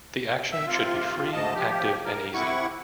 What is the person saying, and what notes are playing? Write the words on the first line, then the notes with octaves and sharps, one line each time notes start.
The action should be free, active and easy.
E5 E6
C3 F4
D2 G#2 D#5 A5
F3 G4
A#4
C3 E4 F#5 C#6